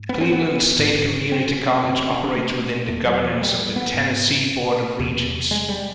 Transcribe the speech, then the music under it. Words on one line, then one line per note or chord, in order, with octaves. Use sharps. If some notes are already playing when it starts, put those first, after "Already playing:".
Cleveland State Community college operates within the governance of the Tennessee Board of Regents.
Already playing: G#2
B3
C4
B3
G#2
C4
C#4
C4
G2 D3 C4
C4
C#4
D4
A3
E2 B2 A3
F#3
F3
G3
B3
G#2
E2 C3
G#3
G3